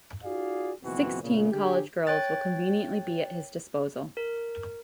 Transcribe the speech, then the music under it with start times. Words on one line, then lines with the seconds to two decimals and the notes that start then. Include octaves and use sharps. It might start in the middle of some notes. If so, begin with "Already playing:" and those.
Sixteen college girls will conveniently be at his disposal.
0.24 D#4 F4 F#4 G#4 D5 F5
0.83 F#1 F2 B2 E3 C4 F#4
1.23 A#2 C#3
1.52 D3 G4 G#4
2.07 C#5 G5 F#6 A6
4.17 A#4